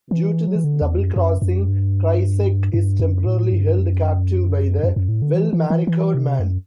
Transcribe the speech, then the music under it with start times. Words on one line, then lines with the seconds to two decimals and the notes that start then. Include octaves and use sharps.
Due to this double-crossing, Krycek is temporarily held captive by the Well Manicured Man.
0.11 E3
0.47 F#3
0.56 E3
0.64 D3
0.82 E2
0.99 F#2
1.16 F#2
1.42 F#2
1.68 G2
2.74 G2
3.00 F#2
3.26 A2
3.52 G2
3.78 F#2
4.83 F#2
4.96 F#2
5.09 A2
5.22 D3
5.35 E3
5.53 E3
5.70 E3
5.87 E3
6.14 C3
6.39 F#2